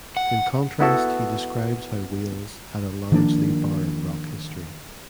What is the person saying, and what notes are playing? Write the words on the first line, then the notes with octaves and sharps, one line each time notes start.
In contrast he describes how Wales had "a largely barren rock history".
F#5
B3 E4 F#4 A4
D#3 F3 A#3 D4